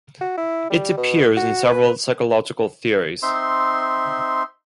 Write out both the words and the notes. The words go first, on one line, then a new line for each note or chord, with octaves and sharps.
It appears in several psychological theories.
F#4
E4
G3
B2
F#4
B4
C4 D#4 E5 C6